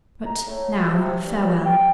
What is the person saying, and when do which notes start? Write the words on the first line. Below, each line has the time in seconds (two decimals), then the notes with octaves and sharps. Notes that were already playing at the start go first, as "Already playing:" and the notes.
But now, farewell.
0.25 A#5
0.46 A2
0.93 C3
1.25 G2
1.64 G5